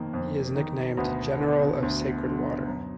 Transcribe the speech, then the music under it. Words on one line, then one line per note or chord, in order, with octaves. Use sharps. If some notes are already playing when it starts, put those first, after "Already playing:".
He is nicknamed "General of Sacred Water".
Already playing: F2 D#3 A#3
F2
D#3
D2 B2 B3
D3
D2
D3
F#2